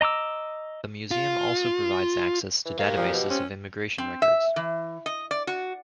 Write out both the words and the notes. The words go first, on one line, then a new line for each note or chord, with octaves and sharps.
The museum also provides access to databases of immigration records.
D#5 A#5 D6 E6
F4
E3
A#3 G4 F5
A#2 F3
B2
C4 C#4
C4
E5
E3
D#5
D5
F#4